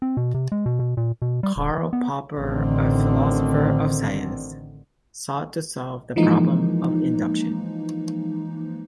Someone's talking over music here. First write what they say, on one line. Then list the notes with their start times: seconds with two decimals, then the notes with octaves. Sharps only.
Karl Popper, a philosopher of science, sought to solve the problem of induction.
0.02 C4
0.17 B2
0.34 C3
0.52 G#3
0.66 B2
0.79 B2
0.97 A#2
1.22 B2
1.43 G3
1.56 D#1
1.78 E3
1.93 B3
2.39 A1 D3 D#3 C4
6.16 E3 F3 G#3 A#3 D#4